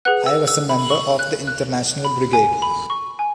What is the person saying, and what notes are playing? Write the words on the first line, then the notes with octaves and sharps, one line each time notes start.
I was a member of the International Brigade.
G#4 B4 F#5 F#6
E6
E6
B5
C#6
F#6
F#6
B5
G#5
B5
C#6
G#5